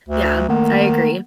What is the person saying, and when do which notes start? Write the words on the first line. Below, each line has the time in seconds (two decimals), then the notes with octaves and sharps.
Yeah, I agree,
0.09 D2
0.49 D#3 A3 A#3 F#5